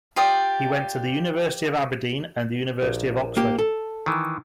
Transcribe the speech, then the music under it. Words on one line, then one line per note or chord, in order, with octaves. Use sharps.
He went to the University of Aberdeen and the University of Oxford.
F4 G4 D5 D#6
A#1
A#3 G4
A4
D#3 E3